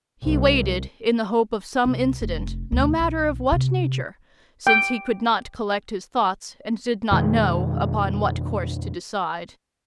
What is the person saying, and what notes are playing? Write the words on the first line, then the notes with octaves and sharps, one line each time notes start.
He waited, in the hope of some incident, no matter of what nature, since he could not collect his thoughts and did not know upon what course to decide.
C2
C2
F1
D2 B2
B1 E2
C3
G5
F2 B2 D#3 G#3